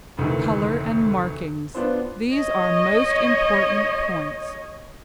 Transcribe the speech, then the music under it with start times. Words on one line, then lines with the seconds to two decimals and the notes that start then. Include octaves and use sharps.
COLOUR AND MARKINGS--These are most important points.
0.17 F1 D2 D#3 E3
1.75 B3 D4 F4 C5
2.34 C#5 D#5